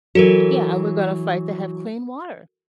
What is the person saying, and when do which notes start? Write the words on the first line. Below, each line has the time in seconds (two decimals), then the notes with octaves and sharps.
Yeah, and we're gonna fight to have clean water,
0.15 E3 F#3 F#4 A4 A#4